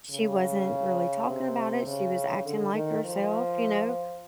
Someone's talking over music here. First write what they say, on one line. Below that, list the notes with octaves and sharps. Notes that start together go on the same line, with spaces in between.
she wasn't really talking about it, she was acting like herself, you know?
C#3
C3
C#3
D3
D#3
F3